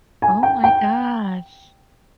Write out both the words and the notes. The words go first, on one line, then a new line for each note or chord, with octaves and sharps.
Oh my gosh.
G#5
G5
G5